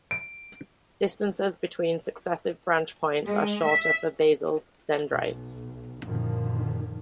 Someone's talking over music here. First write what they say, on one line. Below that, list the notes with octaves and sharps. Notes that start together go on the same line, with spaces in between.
Distances between successive branch points are shorter for basal dendrites.
D7
G#3
E5
B1
F#2 A#2 D3 D#3 F3